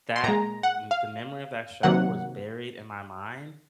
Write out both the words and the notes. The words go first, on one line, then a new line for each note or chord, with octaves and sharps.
that m the memory of that show was buried in my mind,
C6
A#2 G#3 A#5
F#5
F5
C3 D#3 F#3 A#3 F#5